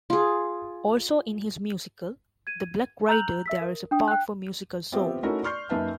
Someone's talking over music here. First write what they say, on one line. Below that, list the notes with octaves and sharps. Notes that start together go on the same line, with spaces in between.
Also in his musical The Black Rider there is a part for musical saw.
F4 G#4
G#6 D#7
A#5 E6 F#6 G6 F7 F#7
E5 E6 B6
A#4
D4 G5 D#6
G5 F#6
B3 C4 F4 G4 E5
A3 C#4 D#4 E4 F#4 A#4
D5 C6 C#6 F6 G6 C7
F#2 A#3 D#4 B4 E5 A5